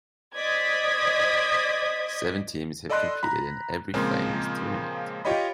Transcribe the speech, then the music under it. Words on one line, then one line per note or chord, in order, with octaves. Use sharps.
Seven teams have competed in every finals tournament.
C5 D5 D#5 D#6 G#6 B6
A4 D5 D#5 B5 C6 F#6
A#5 B5
A#2 C#3 F3 G#3 A#3 C4
F4 G4 C#5 D#5 B5